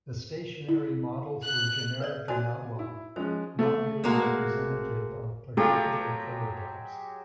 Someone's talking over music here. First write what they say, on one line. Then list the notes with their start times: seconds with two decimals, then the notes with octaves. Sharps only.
The stationary models were generic in outline, not really representative of particular prototypes.
0.69 E4
1.45 F#6
2.00 B4 C#5 D5
2.28 F#4 C5 D5 G#5
2.79 E4
3.16 F3 G#3 C#4 C5
3.59 A3
4.04 G#3 A#3 F#4
5.57 F#3 G#3 A3 F4 G4